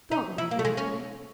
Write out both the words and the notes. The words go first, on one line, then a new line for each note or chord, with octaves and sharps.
Don't lose any time.
D#4
E4
A#3
A3
G#3
C#4